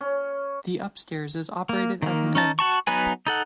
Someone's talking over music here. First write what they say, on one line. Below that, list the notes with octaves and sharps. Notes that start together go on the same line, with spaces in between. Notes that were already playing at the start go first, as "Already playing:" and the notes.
The upstairs is operated as an inn.
C#4
A#3
D#3 A#3
C#4 D#4 A5
F#4 A5 C#6
F#3 B3 D#4 B4 G#5
D#4 A4 F#5